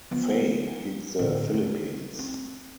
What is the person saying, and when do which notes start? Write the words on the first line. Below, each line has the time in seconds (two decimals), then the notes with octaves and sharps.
Faye hit the Philippines.
0.11 F3 B3
1.19 A2 D3
1.54 D#4
2.19 C4